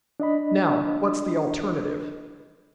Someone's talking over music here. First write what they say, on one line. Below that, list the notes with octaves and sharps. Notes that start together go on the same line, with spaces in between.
"Now, what's the alternative?"
D4 D#5 B5